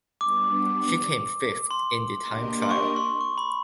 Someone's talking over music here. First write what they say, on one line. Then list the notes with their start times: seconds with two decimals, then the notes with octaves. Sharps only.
She came fifth in the time trial.
0.20 G3 B3 D4 D6
1.71 C6
2.21 A#3 D4 G4 A#4 D#5
2.62 C6
2.71 C#6
2.96 C6
3.21 C#6
3.38 B5